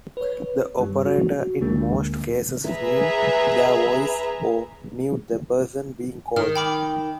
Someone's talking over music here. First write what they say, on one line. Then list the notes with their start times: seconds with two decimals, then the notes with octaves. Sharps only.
The operator in most cases knew their voice or knew the person being called.
0.17 B4 C#5
0.79 G2 G3
1.06 F#4
1.61 D2 D3 G#3 A#3
2.67 G#4 B4 E5 A#5
6.36 D#3 F6
6.56 G5 B5 D6